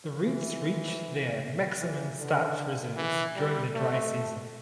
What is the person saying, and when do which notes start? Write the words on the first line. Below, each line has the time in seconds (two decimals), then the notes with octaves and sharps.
The roots reach their maximum starch reserves during the dry season.
0.25 E3
1.81 E3
2.19 D3
2.96 E3
3.36 G3
3.75 A3